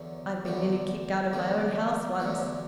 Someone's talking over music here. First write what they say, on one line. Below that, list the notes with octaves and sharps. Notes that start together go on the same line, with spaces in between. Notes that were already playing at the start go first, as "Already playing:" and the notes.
I've been nearly kicked out of my own house once.
Already playing: E2 D3 F#3
E2 D3 F#3
E2 D3 F#3
E2 D3 F#3